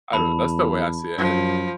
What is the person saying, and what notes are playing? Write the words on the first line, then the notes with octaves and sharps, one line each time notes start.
I don't know, that's the way I see it and
E2 A5 B5
F#2 F3